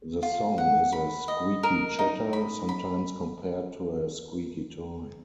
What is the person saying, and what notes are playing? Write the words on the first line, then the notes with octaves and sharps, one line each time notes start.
The song is a squeaky chatter, sometimes compared to a squeaky toy.
F4
F#5
B5
D#5
A#4
D#4
B5
B5